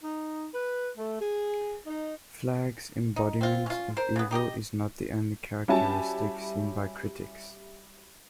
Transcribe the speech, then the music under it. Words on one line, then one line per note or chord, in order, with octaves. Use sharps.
Flagg's embodiment of evil is not the only characteristic seen by critics.
D#4
B4
A3
G#4
D#4
D#4
C4 F4
C#4 F4
A#4 C5
C#3 B3
D#4 G4 G#4 D#5
G3 C#4 E4 F#4 G#5 A5